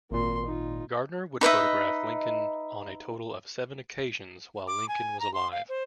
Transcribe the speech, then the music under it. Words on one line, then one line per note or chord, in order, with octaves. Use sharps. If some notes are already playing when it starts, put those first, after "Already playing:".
Gardner would photograph Lincoln on a total of seven occasions while Lincoln was alive.
G#1 A#2 A#3 C6
D#4 F4
D#4 B4 D#5 E5
D6
G#5
A#5
C6
F5
C5